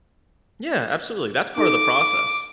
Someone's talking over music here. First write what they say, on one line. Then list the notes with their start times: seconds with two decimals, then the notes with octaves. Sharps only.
Yeah, absolutely, that's part of the process.
1.58 D#4 A4 D6